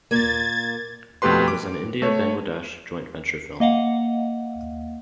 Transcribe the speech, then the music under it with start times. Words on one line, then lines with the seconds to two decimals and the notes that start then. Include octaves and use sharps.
It was an India Bangladesh joint venture film.
0.11 A#2 A#3 G#6 A6
1.22 F2 B2 A3 G4 B4 C6
1.48 D6
2.02 A3 C#5
3.60 A#3 D#5 F5 F#5